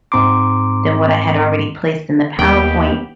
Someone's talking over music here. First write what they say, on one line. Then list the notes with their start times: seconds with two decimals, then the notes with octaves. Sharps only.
than what I had already placed in the PowerPoint,
0.12 G#2 G#3 C4 A#5 C6 D6
2.39 D#2 B3 G4 G5